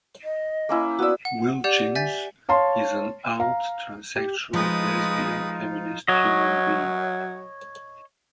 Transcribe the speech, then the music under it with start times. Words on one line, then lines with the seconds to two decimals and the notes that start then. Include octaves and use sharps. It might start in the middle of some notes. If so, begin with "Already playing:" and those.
Wilchins is an out transsexual lesbian feminist human being.
0.24 D#5
0.69 A#3 C#4 E4
0.99 B3 E4 F#4 D5 E6
1.25 F#5
1.64 G4 D5 F#5 G6 F7
1.95 E5 G#5 G6 A6 B6
2.49 C#5 F5 A5 C6
3.40 F5 A#5
4.16 G4
4.53 F3 G#3 D#4 F4 B4 D#6
6.08 F#3 C#5 D#5